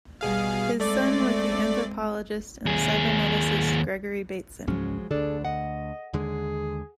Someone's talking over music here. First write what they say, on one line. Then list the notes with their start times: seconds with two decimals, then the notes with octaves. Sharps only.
His son was the anthropologist and cyberneticist Gregory Bateson.
0.21 B2 G3 G#4 F5
0.80 G#3 A3 C4 D5
2.66 D#2 G#4
4.67 C#2 G#2 F3 F#3 G#3 C#4
5.11 D2 D3 D4 G#4 A4
5.45 D#5 F#5
6.13 D#2 D3 G#3 G#4